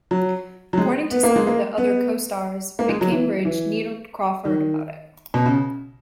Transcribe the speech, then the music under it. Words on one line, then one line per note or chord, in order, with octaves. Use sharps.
According to some of the other co-stars, McCambridge needled Crawford about it.
F#3
F#3
G#3
B3
A#3
G#3
A#3
B3
A#3
G#3
F#3
E3
E3
D#3
B2
C#3